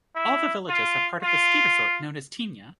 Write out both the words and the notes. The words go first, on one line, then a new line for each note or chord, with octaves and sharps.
All the villages are part of the ski resort known as Tignes.
E4
F4
F4